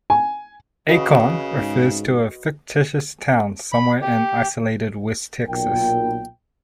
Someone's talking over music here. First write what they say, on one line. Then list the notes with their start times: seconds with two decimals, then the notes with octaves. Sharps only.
"Acorn" refers to a fictitious town somewhere in isolated west Texas.
0.10 G#5
0.88 C#3 F#4 B4 D#5
1.55 G#2
3.72 B5
4.02 G4
5.46 B1 A#2 G5